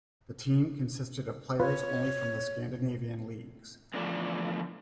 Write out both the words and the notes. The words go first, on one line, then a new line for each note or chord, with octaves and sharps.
The team consisted of players only from the Scandinavian leagues.
F4 B4 C#5
E2 D3 F3 A3 D5